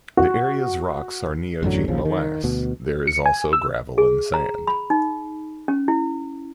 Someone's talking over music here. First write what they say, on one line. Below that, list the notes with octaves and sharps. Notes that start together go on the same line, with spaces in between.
The area's rocks are Neogene molasse; there is also gravel and sand.
F#4
A1 F#2 D3 F#3
A#1 C#3 F3
D#3
D2 B2
C#7
G#5
E6
G#4
A#5
B5
D#4
C#4
E4